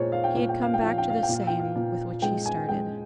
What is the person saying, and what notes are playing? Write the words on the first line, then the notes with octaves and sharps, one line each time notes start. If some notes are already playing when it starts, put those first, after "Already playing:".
He had come back to the same with which he started.
Already playing: A#2 G#3 C5 C#5
F5
G5
A#2 F5
G5
F5
G5
F3 F5
G5
F5
G5
A#2
F5
G5
F5
A#2
G#3 G5
G#5
G#3 G5